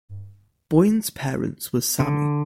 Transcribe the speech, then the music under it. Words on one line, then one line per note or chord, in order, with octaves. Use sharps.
Boine's parents were Sami.
D3